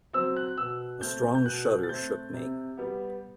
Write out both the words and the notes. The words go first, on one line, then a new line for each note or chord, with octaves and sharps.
A strong shudder shook me.
F#3 C4 E6
F#6
B2 E6
A3 C4 G6
G6
B2 F#6
A6
A3 C4 G6
C3
G3 B3